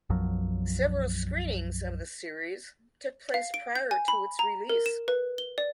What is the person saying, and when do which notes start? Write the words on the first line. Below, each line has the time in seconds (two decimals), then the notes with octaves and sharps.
Several screenings of the series took place prior to its release.
0.10 B1 F#2 F3 F#3
3.34 F5
3.54 D7
3.75 G6
3.91 G#5
4.08 B5
4.39 A#5
4.69 A#4
4.86 E7
5.08 B4
5.38 G7
5.58 D5